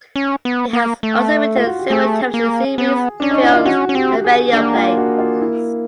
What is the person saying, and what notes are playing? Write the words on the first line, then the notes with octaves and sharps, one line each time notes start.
He has also written several television series, films and radio plays.
C#4
B3
A#3
A3
F4
F#4
G4
A3 G#4
A#3
B3
C#4 D4
D#4
E4
F4
C#4 F#4
C#4
C4 G4
G#4
A#3 D4
F4
F#4
F4
E4